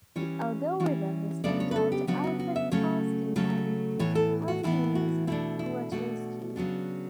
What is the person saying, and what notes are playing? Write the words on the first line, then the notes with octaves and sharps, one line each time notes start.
The algorithm is named after Alfred Tarski and Kazimierz Kuratowski.
E3 G3 C#4 C#5
E3 G3 C#4
C#3 F#3 B3 D4 D5
C#5
B4
A4
G4
C#3 F#3 B3 D4 F#4
F#4
F#4
E5
C#3 F#3 A3 C#4 C#5
C#3 F#3 A3 C#4
A2 E3 B3 C#5
A4
F#4
A2 E3 B3 E4
F#4
B2 A3 D4 E4
E4
B2 A3 D4 F#4
C#3 F#3 B3 D4